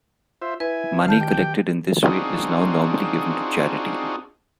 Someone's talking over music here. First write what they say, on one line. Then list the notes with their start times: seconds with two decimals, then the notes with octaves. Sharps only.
Money collected in this way is now normally given to charity.
0.42 F4 C5 E5
0.60 E4 B4 G#5
1.06 D#3 F5 A5 G6
1.21 G4 G5
2.05 C4 D4 D#4 F4 F#4 G#4